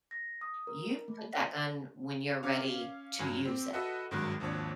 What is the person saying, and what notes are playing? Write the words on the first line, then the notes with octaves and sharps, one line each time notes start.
you put that gun when you're ready to use it.
A#6
D#6
A#4
A3
C#4 F5 D6
G2 F#3 G#5
C4 G4
F#4 A4 B4 D#5 E5 F#5
G#1 G2 D#3 F#3 G#3 F#6
G#1 D#2 F3 D4 C#5